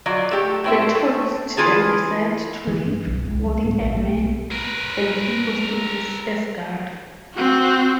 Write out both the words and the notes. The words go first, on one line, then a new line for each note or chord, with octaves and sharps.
The terrorists then decide to leave, holding a man and few hostages as guard.
F#3 F4 D5
A3 G4
A2 C4 E5
A3
E3 F4 G#4 A5
E3
G2
B1
C#2
G3
G#2
A#1
A3
B1
A#4 B4
C4 F#4